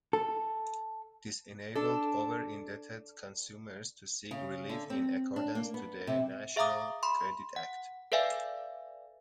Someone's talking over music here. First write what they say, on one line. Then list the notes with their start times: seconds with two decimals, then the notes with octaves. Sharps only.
This enabled over-indebted consumers to seek relief in accordance to the National Credit Act.
0.13 A4
1.75 D4 A4
4.31 C#3
4.70 D3
4.90 C4
5.36 D4
5.55 A#3
5.74 B3
6.07 C3
6.56 G#4 E5 F5 A#5 D6 D#6
7.03 B5 C6
7.56 F#5
8.12 A4 B4 D5 E5 F5 G#5